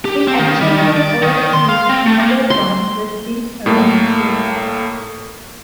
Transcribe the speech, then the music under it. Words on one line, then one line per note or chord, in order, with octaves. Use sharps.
In addition to an older keep, another one was built around the same time.
G4
C4
D#3
G3
D#3
D5
D#3
C6
F5
C4
A3
A#3
C6
A2 A3 A#3